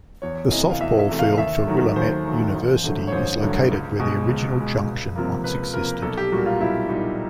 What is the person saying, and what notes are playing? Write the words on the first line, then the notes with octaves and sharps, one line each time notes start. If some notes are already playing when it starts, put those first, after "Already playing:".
The softball field for Willamette University is located where the original junction once existed.
E2 C#5
C3 E3 A3 D#5
F5
E2 E5
E5
C3 E3 A3
F5
D#2 E5
D#3 F#3 A3
D#2 C5
D#3 F#3 A3
A1
G2 D3 F#3 A3
C#5
A1 C5
G2 D3 F#3 A3
C#2
B2 G#3
C#2
B2 G#3
C#2
C3 F3 A#3
C#2 B4
C3 F3 A#3 A#4
B1 A4
G4
A#2 G3 A#3 F#4
F4
B1 E4
A#2 G3 A#3 D#4